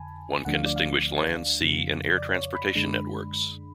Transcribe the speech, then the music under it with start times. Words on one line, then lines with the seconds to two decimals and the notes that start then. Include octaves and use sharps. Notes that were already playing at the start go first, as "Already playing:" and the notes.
One can distinguish land, sea and air transportation networks.
Already playing: F2 D3 G#5 A5 B5
0.45 D2 D3 F3 A3 D4 F#5
0.55 F5
0.66 D5
0.76 F5
1.61 F2 C#3 F3
2.18 D5
2.36 C#5
2.55 B5
2.75 F#2 D3 G#3 D4